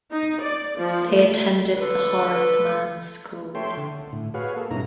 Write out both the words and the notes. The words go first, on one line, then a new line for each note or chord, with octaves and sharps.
They attended the Horace Mann School.
D#4
D5
F3
A3
D3 A4 B4
A4 C#5 E5 G5 C6
D3
A2
F#4 G#4 B4 C#5 F5
A#3 A4
G2 B2 C#4 D#4 E4 A#5